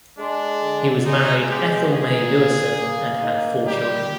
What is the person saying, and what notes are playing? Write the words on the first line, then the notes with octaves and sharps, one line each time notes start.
He was married Ethel Mae Lewison and had four children.
G#3 D4
D3
G#3 D#4
G#3 G4
A#2 G#4
A#3
A#3
D#4
G3 G4